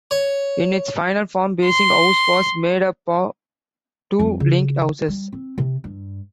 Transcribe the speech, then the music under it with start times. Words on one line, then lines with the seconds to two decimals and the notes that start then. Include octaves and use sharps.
In its final form, Basing House was made up of two linked houses.
0.11 C#5
1.65 C6
4.19 F2 G3
4.40 C#3
5.08 G3
5.33 C4
5.58 C3
5.84 G2